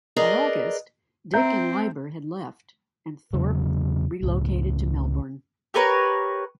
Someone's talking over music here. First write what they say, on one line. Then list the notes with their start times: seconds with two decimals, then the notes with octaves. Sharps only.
By August, Dick and Liber had left, and Thorpe relocated to Melbourne.
0.16 G#4 A#4 B4 D5 D#5
1.34 C4 E5 A#5 G6
3.33 E2 C#3 F#3
4.23 C#2 A2
5.74 G4 A#4 B4 C#5